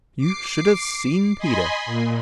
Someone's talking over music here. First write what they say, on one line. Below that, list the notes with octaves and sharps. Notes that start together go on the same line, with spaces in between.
You should have seen Peter.
D6 C7
D#5 G#5 B5 C6
A#2